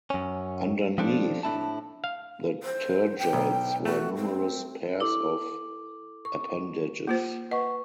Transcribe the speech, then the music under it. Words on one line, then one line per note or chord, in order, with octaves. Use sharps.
Underneath the tergites were numerous pairs of appendages.
F#2 C#4
F3 G3 C4 D4 A4
A2 D4 E4 A5
F5
C5
G5
B1
A3 F#4
C4
E4 A4 D6 F#7
C#6
A#3 F4 C5
B4 D#5 F#5 C#6